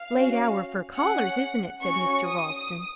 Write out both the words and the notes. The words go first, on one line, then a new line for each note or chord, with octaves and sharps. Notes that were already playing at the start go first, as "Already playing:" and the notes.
"Late hour for callers, isn't it?" said Mr. Ralston.
Already playing: F5
C#4 F#4
C#4 G#4 F#5
C#4 F#4 C#6
D#6